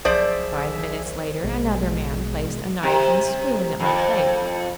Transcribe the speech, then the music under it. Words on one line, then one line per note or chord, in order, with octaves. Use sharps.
Five minutes later another man placed a knife and spoon at my plate.
B1 F3 G#4 C5 D5 E5
A#1 B2 G#3
C3
F2